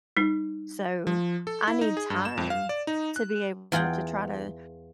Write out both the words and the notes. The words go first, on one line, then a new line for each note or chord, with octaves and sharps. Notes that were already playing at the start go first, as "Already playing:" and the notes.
so I need time to be able to try to
G3 D#4
F3
A4
E4
D#4
G#4
G2
E7
F2
F5
D5
D#4
F#6
E2 F4 G#4 F#5 G5